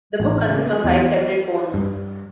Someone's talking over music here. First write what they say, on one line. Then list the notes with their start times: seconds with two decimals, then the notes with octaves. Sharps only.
The book consists of five separate poems.
0.20 A1
0.49 C#3
0.73 G#4
0.84 E2
1.74 G2